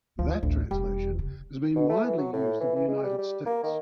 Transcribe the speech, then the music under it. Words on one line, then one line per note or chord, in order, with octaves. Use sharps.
That translation has been used widely in the United States.
D2 F3
A1 D2
E1 E2 G3
C#3
B2
A3
E3
F#3
A2
E3
E3
G#3
G3
G3
A#3
D#3